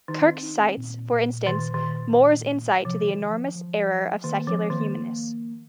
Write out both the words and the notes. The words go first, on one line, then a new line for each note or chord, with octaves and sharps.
Kirk cites, for instance, More's insight into the "enormous error" of secular humanists.
D#3 D#4
C4
D#4
C4
A#2
A#2
D#3
D#3
C3 F3
C3
D#3
F3
F3
D#3 A#3
F3 C4
D#3 A#3